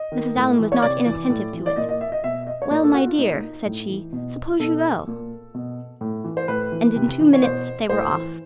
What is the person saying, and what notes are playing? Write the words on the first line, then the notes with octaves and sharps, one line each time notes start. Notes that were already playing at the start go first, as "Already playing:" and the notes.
Mrs. Allen was not inattentive to it: "Well, my dear," said she, "suppose you go." And in two minutes they were off.
Already playing: D#5
D#3
A2
E3
C#5
C3 D5
E3
A2
E3
D5
A#2 D#5
D#5
E5
D#5
B2 E5
D#5
C#5
A#2 D5
A4
F#4
F4
A#2 D#4
A2
E3
B2
B2 A4
A#2
B2
A2
E3
C5
A2 B4
E3
C3
E3
C#5
B2 C5
A2 C5
E3